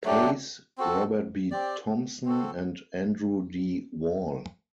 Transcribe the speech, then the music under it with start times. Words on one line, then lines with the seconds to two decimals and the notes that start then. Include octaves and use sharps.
Pace, Robert B. Thompson, and Andrew D. Wall.
0.04 F#3 A3 D4 G4
0.78 C4 F#4 A4
1.51 C4 G4 D5
2.25 C4 F#4 A4